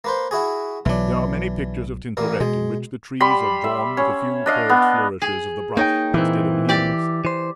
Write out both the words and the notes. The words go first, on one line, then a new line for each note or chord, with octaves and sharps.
There are many pictures of Tintoret in which the trees are drawn with a few curved flourishes of the brush instead of leaves.
A#3 B4 C5
E4 F#4 G#4
B1 E3 F#3 D4
A1 A#2 A#3
B2 G#3
G3 B5 C6
E5
C#4
D4 D#5 F5
B3
G#4
A#3 D#4 C#5 G5
A#2 E3 A#3 C4
G4 D5
E3 C5